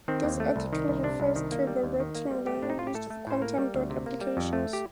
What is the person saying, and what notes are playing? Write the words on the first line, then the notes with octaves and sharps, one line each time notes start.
This article refers to the wetting layer used for quantum dot applications.
D#3 C4
D#2
A3
C2
D#3
C2
C3 D4
C2
D#3
A#3
G3
D#2
D#3
A#3
G3
A3 G4
A2 D4
D#4
A2 F4
G4
A3 A4
A3
A2 C5
A#3 A#4
G3
D2
C3
A#3
G3
F2
A3
G4